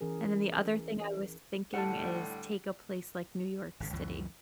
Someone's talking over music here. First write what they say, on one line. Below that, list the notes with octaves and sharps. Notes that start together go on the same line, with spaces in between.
And then the other thing I was thinking is, take a place like New York City-
E3 C#4 G#4 A#4
A2 D3 G3 F#5 A5
G#1 C#3
C#2 F#2 E3 F3